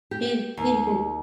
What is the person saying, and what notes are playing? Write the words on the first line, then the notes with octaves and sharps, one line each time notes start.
She's she's n
G4
D#2